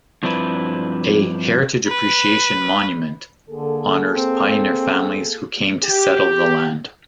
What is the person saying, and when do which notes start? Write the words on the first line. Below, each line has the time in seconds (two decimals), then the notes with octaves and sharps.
A "Heritage Appreciation Monument" honors pioneer families who came to settle the land.
0.23 G2 F3 C4 D4 E4 B4
1.88 B4
3.49 D3 A#3 G#4 A4
4.11 C4
5.85 G4